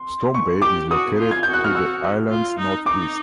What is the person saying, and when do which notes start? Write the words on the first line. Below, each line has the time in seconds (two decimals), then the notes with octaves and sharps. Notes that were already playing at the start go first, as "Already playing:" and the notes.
Storm Bay is located to the island's northeast.
Already playing: C6
0.34 C#6
0.62 G4 D6
0.90 F#4 D#6
1.18 F4
1.31 G#6
1.43 F#4 G6
1.53 F#6
1.64 F6
1.75 E6
2.30 F4
2.59 D#4
2.86 D#4 D6